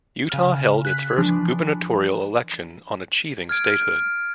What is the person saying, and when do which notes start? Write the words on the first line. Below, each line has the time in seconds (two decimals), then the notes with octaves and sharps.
Utah held its first gubernatorial election on achieving statehood.
0.30 C#3 F6
0.85 F#6 B6
1.17 E3 F3 D4
3.49 F6 G#6 D7